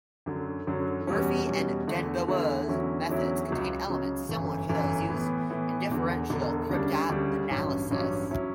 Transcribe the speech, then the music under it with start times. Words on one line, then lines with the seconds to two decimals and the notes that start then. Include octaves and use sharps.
Murphy and den Boer's methods contain elements similar to those used in differential cryptanalysis.
0.26 F#2 D3 F#3
0.67 F#2 D3 F#3
1.07 E2 B2 G3 C#4
1.47 E2 B2 G3 C#4
1.87 E2 D3 A3 E4
2.28 E2 D3 A3 E4
2.68 E2 D3 F#3 C#4 E4
3.09 E2 D3 F#3 C#4 E4
3.48 C#2 C#3 F#3
3.88 C#2 C#3 F#3
4.29 G1 F#2 E3
4.69 G1 F#2 E3
5.09 A2 E3 B3
5.50 A2 E3 B3
5.89 E1 E2 D3
6.30 E1 E2 D3
6.70 D2 C#3 G3 D4
7.10 D2 C#3 G3 D4
7.50 A1 G2 F#3 C#4
7.90 A1 G2 F#3 C#4
8.31 F#3 C#4 E4